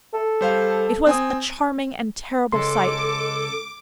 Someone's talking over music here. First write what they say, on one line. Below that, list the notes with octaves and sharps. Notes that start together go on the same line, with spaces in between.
It was a charming and terrible sight.
A4
G3 C5 F5
C4 G#5 D#6
C#2 G#3 A4 C6 D6